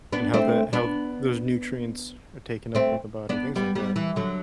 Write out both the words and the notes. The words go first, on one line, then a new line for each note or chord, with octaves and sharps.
and how that how those nutrients are taken up by the body, things like that.
B3 D4
A3 C4
B3 D4
A3 C4
B3 D4
G3 B3
G3 B3
E3
D3 F#3